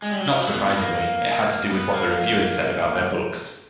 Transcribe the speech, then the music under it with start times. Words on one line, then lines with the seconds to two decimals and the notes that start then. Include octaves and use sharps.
Not surprisingly, it had to do with what the reviewers said about their books.
0.02 G#3
0.11 G3
0.20 F#3
0.29 F3
0.41 F#3
0.47 A#3
0.53 B3
0.64 B3
0.76 A#3
1.70 B3
1.93 A#3